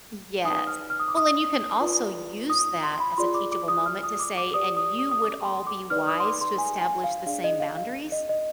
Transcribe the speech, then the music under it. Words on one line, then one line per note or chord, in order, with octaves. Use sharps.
Yes, well, and you can also use that as a teachable moment to say, "And you would all be wise to establish the same boundaries
D#4 B4 D5 D#6
F6
F6
D#6
D6
D#6
F4 B4 D5
D#6
D#6
C6
B5
B5
F4 G#4 D5 C6
D6
D6
D#6
F6
D#6
D6
D6
G4 B4 D5 D#6
D#6
D#6
D#6
D6
C6
D6
D#4 B4 D5 F6
D#6
C6
D6
C6
G#5
G#5
F5
D4 G#4 D5 F5
D#5
F5
F5
D#5
D#5